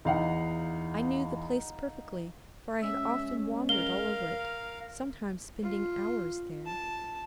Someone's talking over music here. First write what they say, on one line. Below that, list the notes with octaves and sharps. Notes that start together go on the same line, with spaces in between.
I knew the place perfectly, for I had often wandered all over it, sometimes spending hours there.
E2 D#4 F5 F#5
G#3 C#4 E5
A#4 F5 G7
F4
A5